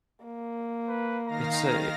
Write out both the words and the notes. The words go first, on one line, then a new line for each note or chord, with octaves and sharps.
it's a
A#3
B4
D#3 F5 A#5 A#6